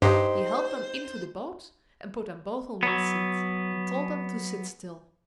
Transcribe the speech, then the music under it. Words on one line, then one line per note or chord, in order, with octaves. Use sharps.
He helped them into the boat and put them both on one seat, and told them to sit still.
G2 D#4 G4 C5
F#3 B3